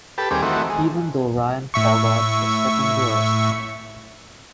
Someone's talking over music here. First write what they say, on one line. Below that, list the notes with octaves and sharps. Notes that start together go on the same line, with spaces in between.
Even though Ryan forgot the second verse.
G4 A4 B4
D#2 G3 C4 G#4 D6
D#3 E3 A3 C4 F#4
G#3
A2 E5 C#6